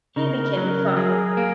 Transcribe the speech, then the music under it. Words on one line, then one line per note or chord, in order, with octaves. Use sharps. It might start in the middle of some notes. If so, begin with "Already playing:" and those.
He became a farmer.
C#3 A#4
F#3
F#3 G#4
A#3